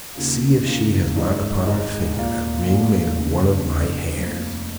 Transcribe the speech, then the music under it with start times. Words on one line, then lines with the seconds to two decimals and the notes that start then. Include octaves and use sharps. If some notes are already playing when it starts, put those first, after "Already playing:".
See if she has not upon her finger a ring made of one of my hairs.
0.15 D#2 C#3 A#3 F4
0.65 D#2 C#3 A#3 F4
1.16 G#1 G#2 G#3 D#4
1.65 G#1 G#2 G#3 D#4
2.16 A#2 A#3 F4
2.65 A#2 A#3 F4
3.16 F1 D#2 C#3
3.66 F1 D#2 C#3
4.16 F1 F2 F3 A#3